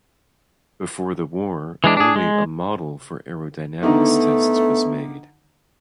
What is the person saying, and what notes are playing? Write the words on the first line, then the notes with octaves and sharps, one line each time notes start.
Before the war, only a model for aerodynamics tests was made.
E3 G#3 D4
D4 G#4
G#3
D3 D#3 A3 B3 D#4